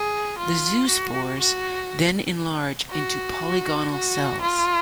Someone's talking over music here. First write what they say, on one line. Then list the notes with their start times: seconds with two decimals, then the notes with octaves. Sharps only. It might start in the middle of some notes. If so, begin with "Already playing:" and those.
The zoospores then enlarge into polygonal cells.
Already playing: G#4
0.38 F4
0.88 F#4
1.39 F#4
2.90 F#4
3.91 F#4
4.41 F4